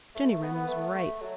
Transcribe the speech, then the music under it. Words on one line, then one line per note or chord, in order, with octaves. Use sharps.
Jenny Wren was right.
A3
A3
B3
B3
A3
A3
F#3